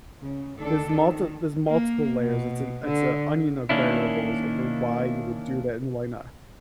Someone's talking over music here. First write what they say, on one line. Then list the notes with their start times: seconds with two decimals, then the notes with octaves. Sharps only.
there's multi there's multiple layers, it's an it's an onion of variables of the why you would do that and why not
0.20 C#3
0.57 D2 D#3 D4 A4
0.94 D#3
1.68 A#3
2.19 B2
2.83 D3
3.69 D#3 A#3 C#4 D4 E4